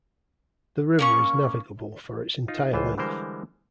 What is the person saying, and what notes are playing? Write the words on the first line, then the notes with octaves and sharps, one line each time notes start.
The river is navigable for its entire length.
A#3 C#4 C#6
D#4 F4
C#2 E3 F4 C5
D3 E3 G3 G#3 A#4 C5